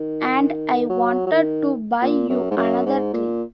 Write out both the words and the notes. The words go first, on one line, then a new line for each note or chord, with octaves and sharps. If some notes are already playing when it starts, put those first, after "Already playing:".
And I wanted to buy you another drink.
Already playing: D#3
F#3
F#3
D#3
A#2
F#2
G#2
F#2
G#2
A#2